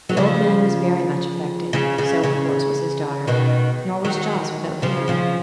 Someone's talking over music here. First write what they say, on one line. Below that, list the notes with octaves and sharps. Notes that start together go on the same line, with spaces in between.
The old man was very much affected; so, of course, was his daughter; nor was Jos without feeling.
F#3
C#3 F3
C#3
C#3
C#3
B2 D#3
D#3 F#3
C#3 F3
C#3 F3